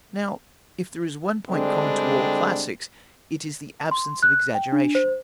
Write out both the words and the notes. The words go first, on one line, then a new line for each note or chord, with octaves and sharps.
Now, if there is one point common to all classics, it is the absence of exaggeration.
D3 G3 G#3 C4 D4
C6
F#6
G5
D4
C5